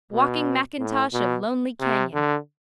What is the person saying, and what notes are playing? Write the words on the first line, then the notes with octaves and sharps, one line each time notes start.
Walking Mackintosh of lonely canyon.
B2
A2
B2
C3
D3